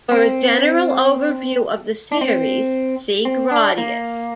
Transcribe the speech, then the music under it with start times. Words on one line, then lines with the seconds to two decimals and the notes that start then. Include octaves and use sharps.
For a general overview of the series, see "Gradius".
0.12 C4
2.12 D4
2.21 C4
3.25 C4
3.51 D4
3.78 A#3